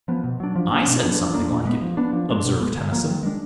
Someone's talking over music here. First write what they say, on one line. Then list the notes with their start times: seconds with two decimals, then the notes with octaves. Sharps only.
"I said something like it," observed Tennyson.
0.08 F3 B3
0.24 B2
0.40 F#3 D4
0.55 F3
0.71 A#3 D4
0.88 B2
1.03 F#3 B3 D4
1.19 F3
1.34 A#3 D4
1.50 A#2
1.65 G#3 B3
1.81 F3
1.97 B3 D4
2.13 F3
2.29 G#3 D4
2.45 B2
2.60 G#3 B3
2.76 D3
2.92 F3 A#3
3.07 D#3
3.23 G#3 D4